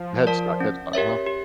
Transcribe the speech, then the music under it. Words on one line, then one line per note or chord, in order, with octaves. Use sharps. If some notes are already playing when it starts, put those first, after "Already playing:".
Headstock Headstock, uh-huh.
Already playing: F3
A#4 D5 A5
C#4
G4 A#4 C#5 E5
G4